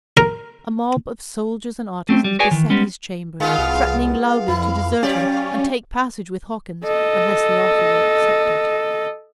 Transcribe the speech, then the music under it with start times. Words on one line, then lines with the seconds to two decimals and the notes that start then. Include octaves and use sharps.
A mob of soldiers and artisans beset his chamber, threatening loudly to desert him, and take passage with Hawkins, unless the offer were accepted.
0.17 A#4
2.09 A3 C4 C#4
2.24 G3
2.39 F#4 G#4 B4 C#5 D5 G#5
2.51 D#3 E3
2.70 G3 G#3 B3 C#4
3.40 D#3 G#3 B3 F4 F5
3.58 C2
4.27 F5
4.48 F2 E4
5.03 F#3 C#4 G4 D5
6.85 A4 D#5